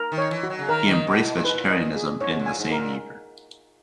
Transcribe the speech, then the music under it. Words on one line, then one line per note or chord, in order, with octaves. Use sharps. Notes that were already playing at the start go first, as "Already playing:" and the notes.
He embraced vegetarianism in the same year.
Already playing: A#4
D#3
C#5
E3
F#4
F#3
C#3
D#3 A#4
D#3
D#5
B2
E4
B2
A#2
G#2 B4
A#2
D#5
G#4
G#2 C#5
A#2
G#5
G#2
A#4
A#2